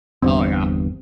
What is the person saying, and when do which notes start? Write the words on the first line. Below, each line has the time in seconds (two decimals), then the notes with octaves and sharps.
Oh, yeah.
0.22 G1 E2 G2 C4